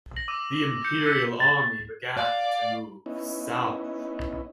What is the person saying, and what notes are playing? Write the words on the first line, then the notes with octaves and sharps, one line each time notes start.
The Imperial army began to move south.
A#6 F#7
D6 E6 D#7
G6 C#7
E6 G6 A#6 B6 C#7 D#7
A6
D5 F5
B3 C#4 D#4 E4